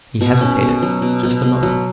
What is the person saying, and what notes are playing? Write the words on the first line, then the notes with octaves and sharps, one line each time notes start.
He hesitated just a moment.
B2 C#6
C#4
B2
F#3
B2
B2
B2
F#3